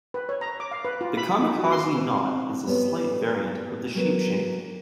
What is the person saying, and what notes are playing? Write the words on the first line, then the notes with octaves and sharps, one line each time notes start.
The kamikaze knot is a slight variant of the sheepshank.
B4
C#5
A#5
D6
F5
B4
F4
B5
F4
D#4
F#4
C6
C4
G3 B3 A4 C#5
F#3 A#3 B3